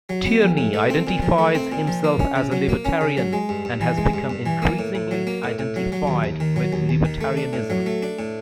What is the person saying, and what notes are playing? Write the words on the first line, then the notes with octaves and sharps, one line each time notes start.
Tierney identifies himself as a libertarian and has become increasingly identified with libertarianism.
F#3
B3
A#1
A2
A3
C4
A#2
F3
A3
C4
A#2
F3
A#3
C#4
C#3
F#3
A#3
C#4
C#3
F#3
G#3
G2
G2
E3
G#3
G2
G2
E3
A#3
A2
A2
F#3
A#3
A2
A2
F#3
F#3
D#2
D#2
D#3
F#3
D#2
D#2
D#3
A3
D4
A2
F#3
A3
D4
A2